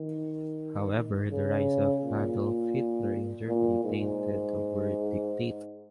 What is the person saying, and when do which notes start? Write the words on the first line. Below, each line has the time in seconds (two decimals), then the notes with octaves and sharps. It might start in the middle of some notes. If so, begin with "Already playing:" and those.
However the rise of Adolf Hitler in Germany tainted the word 'dictator'.
Already playing: D#3
1.31 C#3
2.03 A#2
3.49 A#2
3.84 G#2